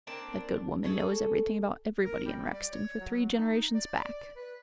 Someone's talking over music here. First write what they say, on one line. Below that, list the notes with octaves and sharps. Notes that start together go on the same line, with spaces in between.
That good woman knows everything about everybody in Rexton for three generations back.
A#3 C4 D4 A5
G#4 A4 C#5
A#4
G3
D5
C#5
F#3
D#4
D5
B4